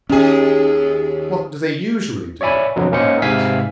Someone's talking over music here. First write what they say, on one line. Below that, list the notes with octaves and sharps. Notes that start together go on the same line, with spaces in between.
"What do they usually do?" I asked.
D#2 C#4 G#4
C#5 D5 E5 G#5 B5
F2 B2 D3 F3 F#3
A#3 C#4 D#4 C5 C#7
G#2 C3 E5 F5 G#5 B6